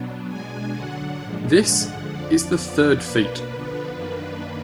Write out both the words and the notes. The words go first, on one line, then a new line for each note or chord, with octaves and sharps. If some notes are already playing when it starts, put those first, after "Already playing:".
This is the third feat.
Already playing: B2 F#3 B3 D4
B2 G#3 D4 G#5
D3 F#3 D4 F#5
A#2 F3 G#3 D4
D3 F3 G#3 D4 F#5
F2 D3 F3 D5
F2 F3 B3
B2 A#3 D4 B4
D3 F3 B3 D4 B4
F#2 D#3 A#3 D4